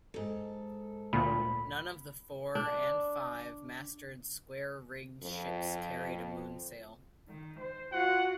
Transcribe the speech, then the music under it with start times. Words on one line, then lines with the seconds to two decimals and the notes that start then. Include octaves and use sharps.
None of the four- and five-masted square rigged ships carried a moonsail.
0.14 G#2 A4
1.13 D2 A#2 B5
2.55 D4
5.24 F2
7.29 D#3
7.60 C5
7.93 F4 F#4 F#5